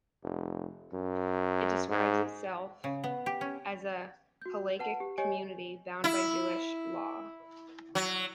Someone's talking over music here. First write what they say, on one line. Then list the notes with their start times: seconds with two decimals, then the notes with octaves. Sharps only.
It describes itself as a "hallachic community bound by Jewish law".
0.23 F1
0.93 F#2
1.89 G#2
2.84 C#3
3.04 B3
3.26 G4
3.41 C#4
4.42 F#4 G6
4.80 B4 F#5 A5
5.00 G4
5.18 G4 C#5 D#5 G#5
6.04 E4
7.95 F#3